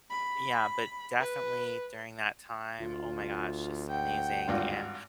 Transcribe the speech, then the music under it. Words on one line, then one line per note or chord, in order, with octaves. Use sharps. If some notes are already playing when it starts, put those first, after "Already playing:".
yeah. But definitely during that time, oh my gosh, just amazing and
B5
B4
D2 F4
F#5 G5
G#1 G2 F4